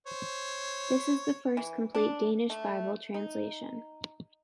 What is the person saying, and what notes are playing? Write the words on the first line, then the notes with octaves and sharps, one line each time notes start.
This is the first complete Danish Bible translation.
C5 C#5
E3
D4
A3
D#4